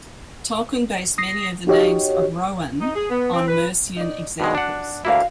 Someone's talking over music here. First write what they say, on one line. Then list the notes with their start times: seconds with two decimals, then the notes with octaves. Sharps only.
Tolkien based many of the names of Rohan on Mercian examples.
1.18 D#6 A#6 C7
1.67 D#4 F#4 G4 C#5 D#5
2.81 D#4
2.95 G#4
3.10 B3
3.34 C4
3.48 B4
3.96 D#4 D5
4.40 G2 B2 G#3 F#4
4.55 D4 F#5
5.05 D2 A#3 E4 F#4 F5